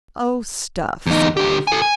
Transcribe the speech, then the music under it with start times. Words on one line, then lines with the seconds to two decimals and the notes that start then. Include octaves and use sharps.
"Oh, stuff!" said Oliver.
1.06 E2 D#4
1.37 D3 G4
1.67 A4 G#5
1.82 G#5